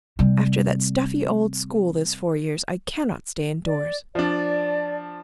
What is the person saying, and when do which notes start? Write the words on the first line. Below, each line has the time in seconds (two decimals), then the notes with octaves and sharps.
After that stuffy old school this four years, I cannot stay indoors.
0.19 C3 G3
3.66 D5
4.15 F3 D4 D5